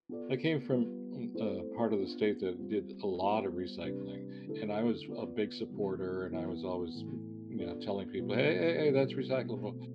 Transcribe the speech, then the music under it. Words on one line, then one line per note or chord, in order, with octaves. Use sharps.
I came from m a part of the state that did a lot of recycling, and I was a big supporter, and I was always, m you know, telling people, "Hey, hey, hey that's recyclable,"
B3 F4 A4 D5
G3 B3 F4 B4
A3 C4 E4 A4 C5
B3 D4 F4
G3 C4 F4
G3 B3 F4 C5
C3 G3 D4 G4 B4
D3 A3 E4 A4
B3 F4 B4 D5
C3 E3 G3
E3 B3 E4
A2 E3 A3
B3 D4 F4 A4 D5
B2 G3 B3 F4 B4
B2 G3 B3 E4 A4
B2 A3 C4